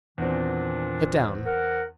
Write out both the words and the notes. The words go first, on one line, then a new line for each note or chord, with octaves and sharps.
"Get down."
E2 A#2 D#3 B3 C4 D4
A#4 F#5